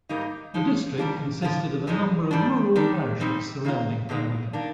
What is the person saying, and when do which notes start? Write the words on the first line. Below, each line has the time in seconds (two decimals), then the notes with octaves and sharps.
The district consisted of a number of rural parishes surrounding High Wycombe.
0.09 G#2 G3 A#3 D#4
0.54 D3 F3 G#3 D#4
0.98 D#3 G3 D4 F4
1.42 D3 F3 A#3 F4
1.87 G#2 F3 G#3 D#4
2.31 G#2 G3 D4
2.76 D#3 G3 D4
3.20 C3 G3 C4 D#4
3.65 D#3 A#3 F4
4.09 G2 D3 G#3 D#4
4.53 D#3 A#3 D4